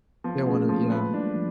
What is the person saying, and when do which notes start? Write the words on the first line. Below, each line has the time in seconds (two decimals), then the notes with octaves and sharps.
they wanna yeah.
0.24 F3 B3
0.46 C#3 A3
0.64 A#3
0.69 F3 A3
0.91 G#3 B4
1.14 G3 D4
1.36 F3